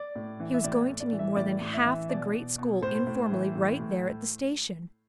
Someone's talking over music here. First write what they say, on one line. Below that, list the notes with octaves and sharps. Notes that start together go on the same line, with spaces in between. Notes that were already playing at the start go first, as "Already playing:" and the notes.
He was going to meet more than half the great school informally right there at the station.
Already playing: D5
A2
E3
E5
A2 D5
A2
D5
E3
E5
A2 D5
A2
E5
E3
B2 D5
B2
B2
A2 C5
A2
E3
A2
A2